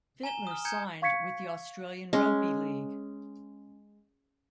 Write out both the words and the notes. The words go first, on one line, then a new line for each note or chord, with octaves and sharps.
Fittler signed with the Australian Rugby League.
G#5 A#5 E7 G7
D#6 F6
G#5 A#5 G6 G#6 C#7
F5 C#6 G#6 B6 C#7
G#3 C#4